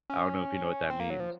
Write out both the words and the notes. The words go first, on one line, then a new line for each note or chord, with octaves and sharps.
I don't know if you know what that means
C#4
C4
A#3
F#3
F3